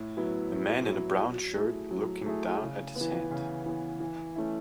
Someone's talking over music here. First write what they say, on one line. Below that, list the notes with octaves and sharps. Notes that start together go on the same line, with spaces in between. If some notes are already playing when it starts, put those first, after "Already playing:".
A man in a brown shirt looking down at his hand.
Already playing: A2
F#3 B3 E4
A2
F#3 B3 E4
F#3
A3 E4 G#4
F#3
A3 E4 G#4
C#3
B3
E3
C#3
E3 B3
E3
A3 C#4 E4